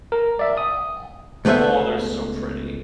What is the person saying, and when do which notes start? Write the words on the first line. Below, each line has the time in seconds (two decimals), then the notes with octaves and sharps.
Aw. Aw, they're so pretty.
0.12 A#4
0.39 D5 E5
0.57 D#6
1.45 C#2 A3 B3 C5 E5